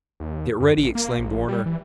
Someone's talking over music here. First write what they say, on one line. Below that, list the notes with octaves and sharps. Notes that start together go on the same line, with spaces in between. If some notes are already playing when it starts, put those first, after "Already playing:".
"Get ready!" exclaimed Warner.
D#2
F#2
A1
A#3
A#1
G3
E3